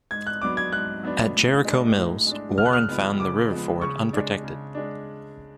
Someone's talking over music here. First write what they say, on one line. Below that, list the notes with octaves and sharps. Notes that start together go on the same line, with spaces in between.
At Jericho Mills, Warren found the river ford unprotected.
G#2 G#6
F#6
F#3 B3 D4 D6
G#6
G#2 F#6
F#3 B3 D4
A2
G#3 D4
A2
G#3 D4
C#3 F6
F#6
F6
F3 G#3 B3
C#3 D6
F3 G#3 B3
C#3 C#6
G#3 D4
C#3
G#3 D4